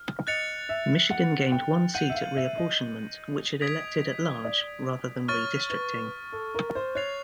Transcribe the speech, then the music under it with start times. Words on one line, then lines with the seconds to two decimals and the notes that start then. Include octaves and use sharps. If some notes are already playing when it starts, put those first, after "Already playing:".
Michigan gained one seat at reapportionment, which it elected at-large rather than redistricting.
Already playing: F6
0.27 D#5 F#6 A6 C#7 F7
0.69 E5
1.10 F#5
1.52 G5
1.94 F#5 G6 C7 D#7 F#7
2.10 E5
2.15 F5
2.37 E5
2.57 D#5
3.61 D#6 G#6 B6 D7 F7
4.45 D5
5.28 C#5 C#6 F6 A6
5.70 B4
6.32 A4
6.55 A#4
6.75 C5
6.95 C#5 F#6 A6 C7 F7